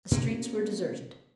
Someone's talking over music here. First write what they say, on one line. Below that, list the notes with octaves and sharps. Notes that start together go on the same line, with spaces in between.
The streets were deserted.
B2 A#3 C#4